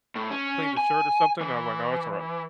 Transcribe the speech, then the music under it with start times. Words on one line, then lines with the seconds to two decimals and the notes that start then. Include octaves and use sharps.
clean the shirt or something?" I was like, "No, it's alright."
0.15 A2
0.31 C#4
0.77 G#5
1.41 E3